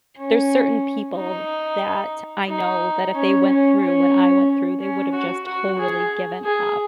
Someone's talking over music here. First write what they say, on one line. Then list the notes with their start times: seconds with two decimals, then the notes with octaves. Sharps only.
there's certain people that I know that if they went through what I went through, they would've just totally given up,
0.19 C#4
1.17 D#4
2.49 D#4
3.15 C#4
3.48 C#4
3.81 C#4
4.80 C#4
5.13 F#4
5.46 F#4
5.79 G#4
6.45 G#4